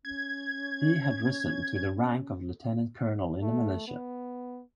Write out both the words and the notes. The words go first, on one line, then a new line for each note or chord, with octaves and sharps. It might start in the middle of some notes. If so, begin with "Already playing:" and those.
He had risen to the rank of lieutenant colonel in the militia.
C#4 G#6
A3
B3